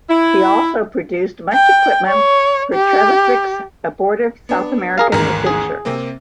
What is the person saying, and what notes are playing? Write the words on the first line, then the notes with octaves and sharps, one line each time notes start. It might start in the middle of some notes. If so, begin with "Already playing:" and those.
He also produced much equipment for Trevithick's abortive South American adventure.
E4
G5
C#5
G4
B3 D4
G#4 A#4 F5
A1 D#2 G#2 A#4
G#4
C3 A#3 C4